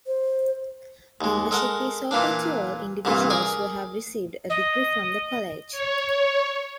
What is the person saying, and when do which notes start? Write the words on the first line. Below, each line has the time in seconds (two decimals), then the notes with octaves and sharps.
Membership is open to all individuals who have received a degree from the College.
0.06 C5
1.21 D#2 G#3
1.51 G#3 A4 A#4 F#5
2.11 A#2 E3 A#3 D4
3.05 C2 G2 A#2 E3
3.30 G#4 A#4 D5
4.49 D#5
5.72 C#5